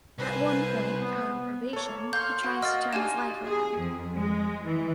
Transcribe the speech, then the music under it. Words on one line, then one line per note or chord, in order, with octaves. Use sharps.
At one point, out on probation, he tries to turn his life around.
C2 B4 C5 G#5
B3
A#3 A4 C#5
F5 C6 C#6 F6 G6
A#3 F#4
D#5 F5 F6 A6
D4 D#4 F4 G4 G#5 E7
G#4
F2
G#3
E3